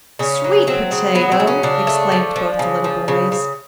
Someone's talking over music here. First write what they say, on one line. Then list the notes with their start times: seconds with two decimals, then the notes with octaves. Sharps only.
"Sweet potato!" exclaimed both the little boys.
0.19 C#3 C#4
0.44 F#3
0.67 F#3 C4
0.91 C#3
1.15 F#3 B3
1.32 C4
1.40 C#3
1.47 C#4
1.63 C#3 D4
1.87 A3
2.12 F3
2.36 F3
2.59 C#3
2.84 F3
3.08 C#3
3.32 C#3